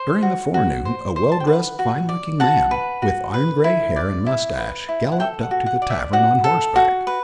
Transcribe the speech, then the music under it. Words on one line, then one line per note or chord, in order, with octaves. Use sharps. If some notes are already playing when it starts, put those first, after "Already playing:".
During the forenoon a well-dressed, fine-looking man, with iron-gray hair and mustache, galloped up to the tavern on horseback.
Already playing: C5
F#4
F#4
C5
C5
A5
G5
B4 F#5
F#4
D5
F#4 F#5 A5
B4
F#4
B4
E4
D5
E4
B4
E4
F#5
A4 E5 G5
F#5
F#4
F#5
D5
E5
F#4 F#5
A4
F#4
B4